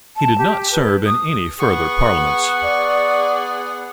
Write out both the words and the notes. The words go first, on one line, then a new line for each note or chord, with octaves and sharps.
He did not serve in any further Parliaments.
A5
G4
B4
D#6
B3 G#4 F#5 C#6
D5